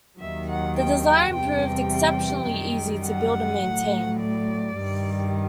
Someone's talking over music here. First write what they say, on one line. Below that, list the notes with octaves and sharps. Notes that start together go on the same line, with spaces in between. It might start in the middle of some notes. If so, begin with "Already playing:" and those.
The design proved exceptionally easy to build and maintain.
D#2 D#3 F#3 E5
F#5
G5
G5
E2 C3 E3 G3 G5
G5
F#2 D#3 G3
F#5
A2 F#3
D5
G2 D#3 G3